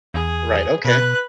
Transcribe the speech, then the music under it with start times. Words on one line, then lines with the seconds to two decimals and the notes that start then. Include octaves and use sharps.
Right, okay.
0.14 E2 G#4
0.85 B2 B4 F#6